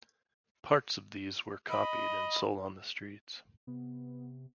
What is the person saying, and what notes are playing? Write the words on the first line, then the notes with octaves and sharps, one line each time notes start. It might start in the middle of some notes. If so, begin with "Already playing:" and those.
Parts of these were copied and sold on the streets.
D#5 B5
C3 B3